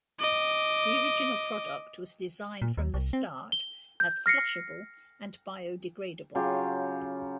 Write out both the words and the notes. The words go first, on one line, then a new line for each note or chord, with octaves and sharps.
The original product was designed from the start as flushable and biodegradeable.
D#5 D6
A#2
D#2
C2
C4
G7
G6
F6 A#6 C7 C#7
C#3 F#3 F4 G4